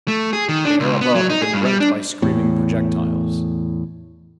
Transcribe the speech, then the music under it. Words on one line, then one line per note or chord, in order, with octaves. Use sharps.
The air above had been rent by screaming projectiles.
A3
G#4
D#3
D4
C#2
B3
F#3
D#4
G#4
G2
G3
D4
E2 A2